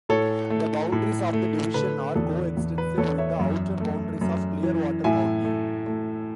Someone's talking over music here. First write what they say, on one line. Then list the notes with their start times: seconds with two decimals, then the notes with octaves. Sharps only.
The boundaries of the division are coextensive with the outer boundaries of Clearwater County.
0.09 A2 A4 C#5
0.50 A3
0.92 A2
1.33 A3
1.74 D3 B4
2.16 E2 A4
2.57 E2
2.78 B4
2.98 E2 A4 C#5
3.18 C#5 E5
3.39 F#2
3.80 A3
4.21 F#2
4.63 E3
5.04 A2 E5 G#5
5.45 A3
5.86 A3